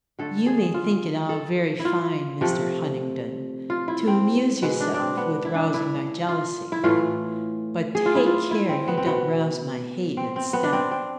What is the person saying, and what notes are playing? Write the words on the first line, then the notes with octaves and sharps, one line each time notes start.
'You may think it all very fine, Mr. Huntingdon, to amuse yourself with rousing my jealousy; but take care you don't rouse my hate instead.
D3 A3 A4
G#4
F4
A4
E4
F4
C3 F3 A3
F4
E4
C4
B2 G#3 B3
D4
D4
C4
B3
E4
D4
E4
F4
E4
A2 E3 A3 F4
G#4
F4
E4
F4
E4
C4
B3
C4
B2 A3 B3
C4
C4
B3
D4
C4
C4